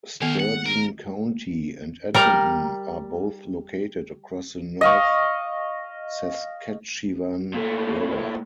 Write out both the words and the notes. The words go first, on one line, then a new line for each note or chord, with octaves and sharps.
Sturgeon County and Edmonton are both located across the North Saskatchewan River.
D#3 A3 B3 F5
F#5
A#4
G3 A#4 A#5
D#5 F5 C#6
A#2 A3